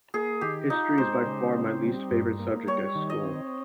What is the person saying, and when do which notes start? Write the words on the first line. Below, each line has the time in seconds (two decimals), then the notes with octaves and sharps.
History is by far my least favourite subject at school.
0.14 A#3 G#4
0.41 D#3 G4
0.70 D#4 F4
0.98 G#3 C5
1.26 C#3
1.54 C4
1.83 G3
2.11 G2
2.39 A#3
2.67 G3 C#5
2.95 D#3
3.10 D#5
3.24 C4